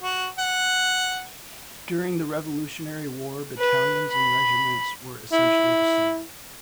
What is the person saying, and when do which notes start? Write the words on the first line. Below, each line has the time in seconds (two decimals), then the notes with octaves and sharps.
During the Revolutionary War, battalions and regiments were essentially the same.
0.03 F#4
0.38 F#5
3.58 B4
4.11 B5
5.33 E4